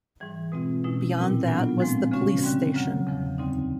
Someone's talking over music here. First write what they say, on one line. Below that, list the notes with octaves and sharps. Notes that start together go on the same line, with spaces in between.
Beyond that was the police station.
G#2 E3 G3
B2 G#3 C4 F4
B2 G#3 C#4 E4
A#2 G3 C4 E4
A2 F#3 B3 D4 F4
F3 G#3 C4
C#3 F3 G#3 C#4 F#4
D3 G3 C4
F#2 C#3 F#3
E2 C#3 F3
D2 D3 G3 C4 D#4